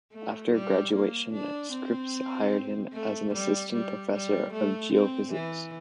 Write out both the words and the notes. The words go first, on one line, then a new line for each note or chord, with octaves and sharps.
After graduation, Scripps hired him as an assistant professor of geophysics.
A3
G3
A#3
D4
C4
A3
G3
G3
G3
A3
C4
E3